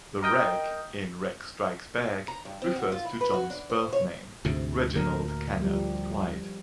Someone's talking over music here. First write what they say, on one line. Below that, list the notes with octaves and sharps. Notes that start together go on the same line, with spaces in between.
The "Reg" in "Reg Strikes Back" refers to John's birth name, Reginald Kenneth Dwight.
A#4 D#5 G5
A#5
G2
C4
F#4
F4
E4
B4
F#4
D4
C5
C#5
D2 G#2 C3
D2 A2 D3 A#4
F3 G3